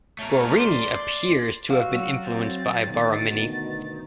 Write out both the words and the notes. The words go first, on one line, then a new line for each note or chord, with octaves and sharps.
Guarini appears to have been influenced by Borromini.
A3 A#4 C#5
D5 C6
F#3 F#4 F5 E6
C4 A6
D2 B2 D#3